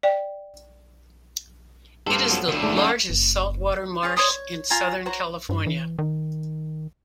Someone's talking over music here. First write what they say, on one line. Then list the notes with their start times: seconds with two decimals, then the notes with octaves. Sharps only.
It is the largest salt water marsh in Southern California.
0.03 D5 G5
2.07 G2 A#3 C4 G4 A4
2.30 F3 F#3 B3
2.48 D2 D3
2.62 G#2 A3 D4
2.76 F#2 A4 D#5 F5
3.10 F#1
4.03 F4 G#4 C#5
4.17 C#5 D5 C6 D#6
4.30 C#5
4.70 F4 G#5 A#5
5.06 F#4 C5 C#5 A#5
5.49 G2
5.67 E3
5.99 D#3